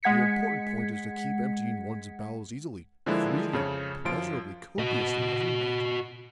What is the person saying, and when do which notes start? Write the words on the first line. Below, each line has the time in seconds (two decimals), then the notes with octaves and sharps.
The important point is to keep emptying one's bowels easily, freely, pleasurably, copiously every night.
0.03 G#3 F#5 G#6 B6 C#7
3.06 D3 F3 G#3 A#3 D4 E4
3.53 F2 C#3 C#5
4.05 F#2 F3 F4 D7
4.79 F#4 D#5